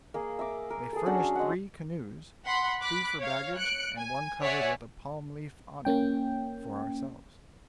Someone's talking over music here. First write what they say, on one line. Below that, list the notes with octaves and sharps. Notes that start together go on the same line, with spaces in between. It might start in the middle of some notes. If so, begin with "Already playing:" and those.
They furnished three canoes, two for baggage and one covered with a palm-leaf awning for ourselves.
A#3 G#4 F5
E5 A#5 D6
A#4
G#4 A4
F#3 C#4 D4 F#5
G#3 F#5
F#5 B5 C6
B5 D6 F#6 B6
C#5 F5
F#6 C#7 D7
G#5
C#5 D5 E5 F#5 G#5
A#3 C#4 G5